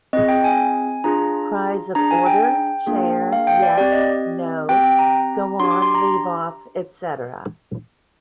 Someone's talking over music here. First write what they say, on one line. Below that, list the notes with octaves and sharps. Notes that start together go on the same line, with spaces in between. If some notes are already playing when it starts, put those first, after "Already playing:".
Cries of “Order,” “Chair,” “Yes,” “No,” “Go on,” “Leave off,” etc.
C4 F4 G#4 D#5
G5
G#5
D4 F4 G#4 A#5
D4 G#4 A#5
G#5
G5
A#3 D4 F4 G#4
F5
G5
D5
C4 G4 D5
D#5
C4 G4 G5
G5
A#5
D4 G4 C6
D6
C6
A#5